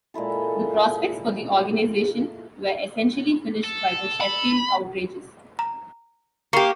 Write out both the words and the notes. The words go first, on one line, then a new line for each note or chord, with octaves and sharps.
The prospects for the organisation were essentially finished by the Sheffield Outrages.
A#2 G#3 E4 A4
A4
B5
A#5
A#3 G4 C#6 C7 C#7